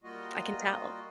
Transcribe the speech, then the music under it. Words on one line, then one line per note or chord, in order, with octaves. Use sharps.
I can tell.
G3 A#3 F4 F#4 D#5